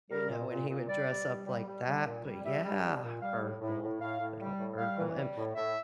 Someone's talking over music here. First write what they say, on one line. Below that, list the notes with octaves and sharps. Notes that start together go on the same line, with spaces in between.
You know, when he would dress up like that, but yeah, Urkel. Good ol' Urkel. And
G3 A#4
A#2
A#2
A#2
G3 D5
G3
G3
G3
G3
G3
A#2
G3
G3 E5
G3
G3
A#2
G3 F5
A2
A2
A2
A2 F5
A2
G3
A2
G3 F5
E3
G3
A2
A2 E5